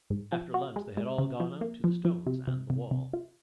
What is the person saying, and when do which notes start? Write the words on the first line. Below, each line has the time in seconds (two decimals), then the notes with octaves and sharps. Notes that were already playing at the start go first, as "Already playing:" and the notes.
After lunch they had all gone out to the stones and the wall.
0.10 G#2
0.32 F3
0.54 F#4
0.76 G#3
0.97 G#3
1.18 C#3
1.40 F3
1.61 A#3
1.84 F3
2.05 F3
2.27 C3
2.48 C3
2.70 C3
2.91 C3
3.13 F4